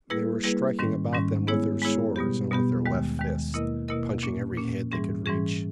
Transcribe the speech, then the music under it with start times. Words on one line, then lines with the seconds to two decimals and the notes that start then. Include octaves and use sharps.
They were striking about them with their swords and with their left fists, punching every head they could reach.
0.10 G3 A#3 E4 G#4 B4
0.44 G3 A#3 E4 G#4 B4
0.79 G#2 D#3 G3 C#4
1.13 G#2 D#3 G3 C#4
1.47 G#3 B3 E4 G#4 C#5
1.82 G#3 B3 E4 G#4 C#5
2.16 B2 G3 B3 G4
2.51 B2 G3 B3 G4
2.86 D#2 D#3 G#3
3.20 D#2 D#3 G#3
3.54 B2 A#3 E4 A#4 D#5
3.88 B2 A#3 E4 A#4 D#5
4.23 A#2 A#3 C#4
4.57 A#2 A#3 C#4
4.92 G#2 E3 G3 C#4 G#4
5.26 G#2 E3 G3 C#4 G#4